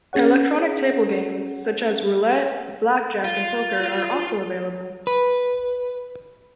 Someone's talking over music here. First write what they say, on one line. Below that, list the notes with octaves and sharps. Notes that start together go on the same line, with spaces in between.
Electronic table games, such as roulette, blackjack, and poker, are also available.
C#4 G#4 C#5 F#5
F4
B4